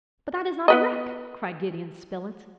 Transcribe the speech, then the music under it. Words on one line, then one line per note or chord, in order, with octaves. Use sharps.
"But that is not a wreck!" cried Gideon Spilett.
B3 B4 D#5